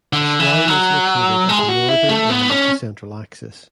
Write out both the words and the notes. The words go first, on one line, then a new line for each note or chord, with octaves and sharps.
A shrine is located at the northern end of the central axis.
D3
E3
F#3
G#3
G#4
F#4
E4
A3
B3
C#4